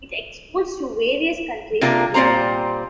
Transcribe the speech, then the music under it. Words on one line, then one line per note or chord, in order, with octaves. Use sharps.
It exports to various countries in Europe.
C3 A#3 D4 F4 A#4
A#2 G3 C4 C5 A#5